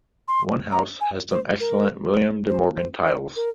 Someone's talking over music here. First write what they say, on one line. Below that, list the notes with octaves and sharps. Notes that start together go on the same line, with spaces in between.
One house has some excellent William De Morgan tiles.
C6
A#5
G#5
C5
A#4
C5
C5
C5
A#4